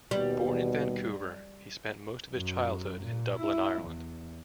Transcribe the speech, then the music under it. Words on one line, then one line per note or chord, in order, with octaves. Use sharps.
Born in Vancouver, he spent most of this childhood in Dublin, Ireland.
D#2 B2 G3
F#2
A#2
E4
E2